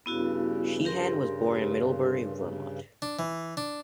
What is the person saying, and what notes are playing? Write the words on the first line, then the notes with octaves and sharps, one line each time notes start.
Sheehan was born in Middlebury, Vermont.
G2 C#3 B3 E4 F#4
G4 A#4 C6
D4
E3
D4